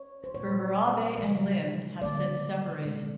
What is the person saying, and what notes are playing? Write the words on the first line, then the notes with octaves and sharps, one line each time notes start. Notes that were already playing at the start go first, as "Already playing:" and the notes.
Berberabe and Lim have since separated.
Already playing: C#5
C5
A#2 G3 A#3 C#5
C#3 F3 G#3
D3 G3 A#3 D5
B2 G#3